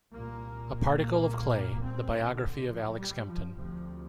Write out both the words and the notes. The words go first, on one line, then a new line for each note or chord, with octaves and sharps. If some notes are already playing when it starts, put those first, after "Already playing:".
"A Particle of Clay: the Biography of Alec Skempton".
C2 A#2 A#3
A#3
C4
D3
F3
G3
F3
D2 C3 F3